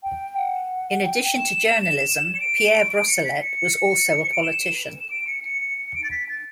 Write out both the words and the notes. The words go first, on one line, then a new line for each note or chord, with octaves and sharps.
In addition to journalism, Pierre Brossolette was also a politician.
G5
F#5
G5
E7
C#7
D7
C#7
B6
C#7
C#7
D7
E7
E7
D7
C#7
C#7
C#7
C#7
D7
A6
B6
A6